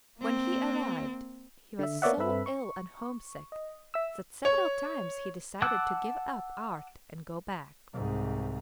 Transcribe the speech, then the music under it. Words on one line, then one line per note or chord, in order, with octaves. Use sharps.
When he arrived, he was so ill and homesick that several times he decided to give up art and go back.
A#3 C4
D3 E5
A#3 B3 C#5 D5 E5 F#5
G2 C4 A4 B4 E5 B5
C#6
D#5
E5 E6
C#5
F#5 A5 D6 E6 F#6
C2 G#2